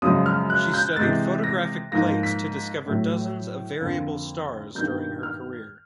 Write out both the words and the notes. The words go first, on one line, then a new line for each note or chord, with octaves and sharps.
She studied photographic plates to discover dozens of variable stars during her career.
F#2 C#3 F3 G#3 D#6
F6
F#6
G6
C3 E3 G#3 A6
A#6
G#2 F3 A#3 A#6
B6
A2 F#3 A3
F2 D3 F3 A#3
G2 D#3 G3 A#3 G6
F6